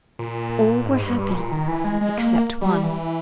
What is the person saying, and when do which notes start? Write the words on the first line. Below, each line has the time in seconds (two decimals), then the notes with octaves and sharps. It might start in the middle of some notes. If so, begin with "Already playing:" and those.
All were happy except one.
0.19 A#2
0.85 G#2
1.02 G2
1.18 G2
1.30 B2
1.35 A#2
1.52 D#3
1.68 E3
1.84 G#3
2.01 G#3
2.18 A#3
2.61 G3
2.84 E3